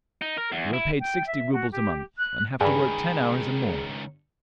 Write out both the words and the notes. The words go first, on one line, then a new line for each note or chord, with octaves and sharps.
You are paid sixty rubles a month, and have to work ten hours and more....
D#4
A#4
E2
E4
G5
E5
F#4
G4
F#6
C#2 G2 D#3 G#4 G#5 B5